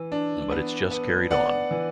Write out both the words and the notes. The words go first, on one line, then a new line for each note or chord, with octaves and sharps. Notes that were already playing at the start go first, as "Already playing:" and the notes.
But it's just carried on.
Already playing: E3
D4
B3
B3
B3 D5 F#5
E3